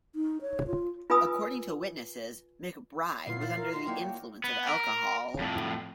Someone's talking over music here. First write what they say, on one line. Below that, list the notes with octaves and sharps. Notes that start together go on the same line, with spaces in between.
According to witnesses, McBride was under the influence of alcohol.
D#4
C#5
F4
F4 B4 G#5 B5 D#6 E6
A#2 B3 C#4 E4 F4 C7
E4 C5 F5 F#5 A6
A#4 F5
D#4 E4 F#4 C6
A#3 E4 F#4 C#5 D5 G5
B3
A#4
F2 A2